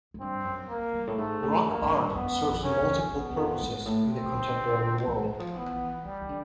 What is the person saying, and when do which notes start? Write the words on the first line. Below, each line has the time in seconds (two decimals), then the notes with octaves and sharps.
Rock art serves multiple purposes in the contemporary world.
0.14 G#2
0.20 G2 C4
0.45 F#2
0.69 A#3
0.93 G2
1.07 A2
1.18 G#2 A3
1.43 A2
1.66 G2 A#3
1.82 F#2
1.91 G2
2.15 F#2 B3
2.32 F#2
2.48 F2
2.64 F#2 C#4
2.80 F#2
2.90 F#2
2.97 F2
3.12 E2 B3
3.31 E2
3.37 F2
3.61 G#2
3.86 A2
4.09 C4
4.23 D#3
4.34 D3
5.07 E3
5.23 E3
5.40 F3
5.56 E3 B3
6.05 E3 G3
6.21 D#3
6.29 D3